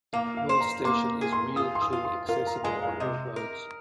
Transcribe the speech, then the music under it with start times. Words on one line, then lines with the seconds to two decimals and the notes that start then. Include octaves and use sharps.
North Station is wheelchair accessible on all modes.
0.13 A#3 F5
0.37 F5
0.49 C5
0.60 A#5
0.85 A#3 C6
1.21 G#4
1.33 C6
1.56 F4 D#6
1.75 C6
1.81 D#6
1.93 F4
2.05 C6
2.28 F4 A#4
2.47 A#5
2.56 F5
2.64 G#3 G#5
2.82 F5
3.00 C3 D#5
3.36 A#4